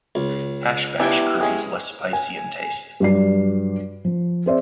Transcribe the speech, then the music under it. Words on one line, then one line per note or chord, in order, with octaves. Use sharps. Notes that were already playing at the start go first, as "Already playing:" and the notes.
Hash Bash curry is less spicy in taste.
C#2
B3 D4 E4 G4 E5 G#5
G#3 C#4 G#4
G#5
G2 F#3 D5 C7
F3
C4 G#4 C5 D5 E5